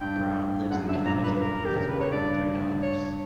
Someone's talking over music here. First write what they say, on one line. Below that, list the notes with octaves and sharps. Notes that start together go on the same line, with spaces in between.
Browne lives in Connecticut with his wife and three daughters.
G2 G5
F#2 F#5
G2 E5
A#2 A#5
B4
A#4
G4
C#3 A#4
B4
C#5
G2 D5
C#5